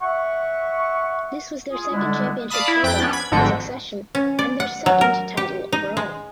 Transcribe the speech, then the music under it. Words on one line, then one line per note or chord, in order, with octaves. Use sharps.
This was their second championship title in succession and their second title overall.
E5 F#5 C#6
F4 G#4
D3 G3 G#3 B3 D4 E4
D5 F5 A5 B5 D#6
E4
F2 G5 B5 F#6 A6
B3 C#4 D4
B5 G#6
G#1 G#2 D3 F3 F#4 G5
C#4
D5
F#5
F#3
A#4
G4
D#4
G#3